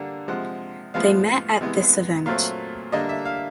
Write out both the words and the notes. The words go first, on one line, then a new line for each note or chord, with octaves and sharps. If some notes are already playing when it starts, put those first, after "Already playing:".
They met at this event.
Already playing: D3 G3 A#3 D4 F#5
C3 F3 G#3 F#5
A2 F3 G#3 B3 F5
C3 E3 G#3 B3
A#2 F#3 A3 C4 F5
D3 G3 A#3 D4 D#5
E5
F5